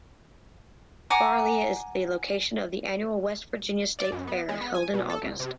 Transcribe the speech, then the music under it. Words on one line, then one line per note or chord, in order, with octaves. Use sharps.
Fairlea is the location of the annual West Virginia State Fair, held in August.
F#5 G#5 A#5 D6
D5
F#2
B3
G#3
B3
G#5
B2
A4
C#2
C3